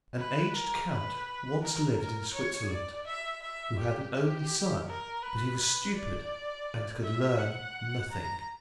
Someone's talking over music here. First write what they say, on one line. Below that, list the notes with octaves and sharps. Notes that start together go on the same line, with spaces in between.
An aged count once lived in Switzerland, who had an only son, but he was stupid, and could learn nothing.
B4
A#4
B4
A#4
A#4
C#5
D5
E5
E5
G4
G4
A#4
B4
B4
D5
E5
F#5
A#5